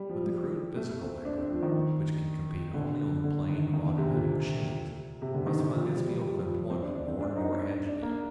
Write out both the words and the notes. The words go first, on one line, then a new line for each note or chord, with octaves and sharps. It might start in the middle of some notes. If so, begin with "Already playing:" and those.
But the crude physical labor which can compete only on the plane of automatic machines, must find its field of employment more and more hedged in.
Already playing: G3
F3
G3
A3
C4
D4
C4
F3
D#3
D3
D3
D#3
D#3
D3
C3
A#2
C3
D3
D#3
D#3
F3
F3
G3
G3
G3
F3
F3
C4
D4
D4
C4
D4
D#4
D4
D4
A#3